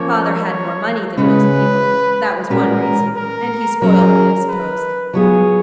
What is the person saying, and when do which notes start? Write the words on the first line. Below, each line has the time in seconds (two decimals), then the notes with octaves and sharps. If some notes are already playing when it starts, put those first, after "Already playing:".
Father had more money than most people; that was one reason; and he spoiled me, I suppose.
Already playing: F3 A#3 C#4 C#5
1.17 C#3 G#3 C#4 B4
2.50 A#2 G#3 C#4 F#4 A#4 B4
3.16 A#4
3.81 F#3 C#4 G#4 A#4
4.48 B4
5.14 F#3 B3 F4 G#4 C#5